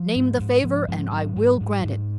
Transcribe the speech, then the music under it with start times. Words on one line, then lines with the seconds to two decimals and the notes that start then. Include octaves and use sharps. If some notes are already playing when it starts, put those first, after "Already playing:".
"Name the favor and I will grant it."
Already playing: F3
0.16 G#2
0.40 G#2
0.64 G#2 F3
0.88 G#2 F3
1.12 G#2 F#3
1.36 G#2
1.61 G#2
1.84 G#2